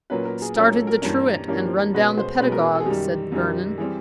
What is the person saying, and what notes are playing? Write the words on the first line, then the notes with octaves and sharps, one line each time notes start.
"Started the truant and run down the paedagogue," said Vernon.
A#2 F#3 A#3 C#4 B4
A#4
G#4
A#2 F#3 A#3 C#4 A#4
A4
A#4
G2 E3 G3 A#3 C#4
G2 E3 G3 A#3 C#4
B2 G#3 C#4 B4
C5
B2 G#3 C#4 B4
A#4
G#4
A4
G#4
F#2 D#3 G3 G4
F#2 D#3 G3
E3 G3 C4 G#4